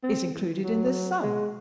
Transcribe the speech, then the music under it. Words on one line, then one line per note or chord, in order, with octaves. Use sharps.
"Is included in this sum."
C4
E3
F#3
G#3